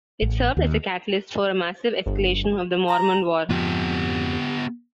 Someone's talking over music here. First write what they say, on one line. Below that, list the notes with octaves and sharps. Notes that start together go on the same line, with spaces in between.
It served as a catalyst for a massive escalation of the Mormon War.
A1
D#2
G1
A#5
F2 G#2 F3 B3 G4